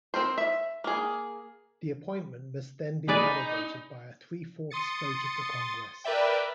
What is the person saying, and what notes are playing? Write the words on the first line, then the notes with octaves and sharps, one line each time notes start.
The appointment must then be validated by a three-fourths vote of the Congress.
C4 A#4 C5
E5
A#3 G#4
D#4 G#4 B4 D5
C6 D#6 A6 C#7
A#4 B4 D5 E5 G5